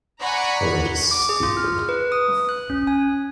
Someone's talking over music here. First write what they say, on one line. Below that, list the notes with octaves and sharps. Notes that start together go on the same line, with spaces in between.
They were just stupid.
D5 F#5 G#5 A#5 B5 C#6
D6
G#4
F4
F6
B4
D#6
F#6
C#4
G#5